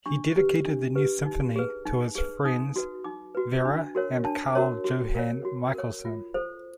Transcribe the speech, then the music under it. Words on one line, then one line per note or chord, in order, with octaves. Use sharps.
He dedicated the new symphony to his friends Vera and Carl Johan Michaelsen.
D4 C#6
G4 B4
D4
G4 B4
D#4
G#4 B4
D#4
G#4 B4
D#4 D#6
F#4 B4
D#4 D6
F#4 B4
D4
F#4 A#4 C#5
D4 A5
F#4 A#4 C#5
F#4
A#4 C#5
F#4
A#4 C#5
F4
A4 C5